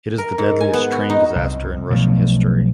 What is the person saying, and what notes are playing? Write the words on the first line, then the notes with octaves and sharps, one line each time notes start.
It is the deadliest train disaster in Russian history.
A#4
G#2
G#5
B3
F#4
D#4
C2
B1 B2 F3 A3